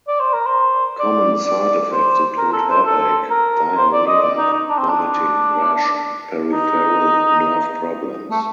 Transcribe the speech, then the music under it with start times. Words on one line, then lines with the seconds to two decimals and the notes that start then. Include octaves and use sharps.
Common side effects include headache, diarrhea, vomiting, rash, and peripheral nerve problems.
0.08 D5
0.20 C5
0.34 A#4
0.46 C5
0.99 D5
1.47 D5
1.92 C5
2.38 A#4
2.53 A4
2.69 C5
2.85 A4
3.30 A#4
3.77 C5
3.93 D5
4.08 D#5
4.22 D5
4.38 D#4
4.53 D#4
4.69 D4
4.79 C4
4.89 D4
6.53 D#4
8.31 A3